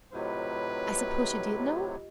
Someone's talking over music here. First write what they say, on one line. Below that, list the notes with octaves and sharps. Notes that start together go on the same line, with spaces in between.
I suppose you did know?
A2 C3 F#3 F4 G4 B4 D#5